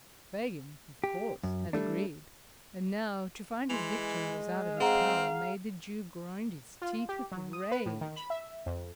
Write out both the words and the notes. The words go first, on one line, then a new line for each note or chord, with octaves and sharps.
Fagin, of course, had agreed, and now, to find his victim was out of his power made the Jew grind his teeth with rage.
G4
F#2
G3 A3 D4
E3 G#3 C6 F7
C4 G#4 F5 F#5 A#5
F4
G4
F#3
D#6
B4
A2
D#3
B5
E5
F2